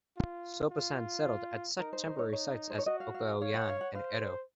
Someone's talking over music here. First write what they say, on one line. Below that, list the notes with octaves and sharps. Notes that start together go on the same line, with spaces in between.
Soposan settled at such temporary sites as Oke-Oyan and Aro.
F4
F4
D#4 A#4
C5
C5
C#5
D#4 C#5
C5
C#5
F#4 D#5
F5
F5
F5
C#5 F5
F#5
F5
F#5
C5 F5